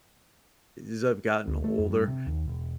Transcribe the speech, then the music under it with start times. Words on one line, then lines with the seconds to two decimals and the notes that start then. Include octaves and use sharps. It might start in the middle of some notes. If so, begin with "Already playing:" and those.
as I've gotten older,
1.48 D2
1.64 A3
1.78 F2
1.91 G2
2.08 C3
2.26 D#2
2.48 E1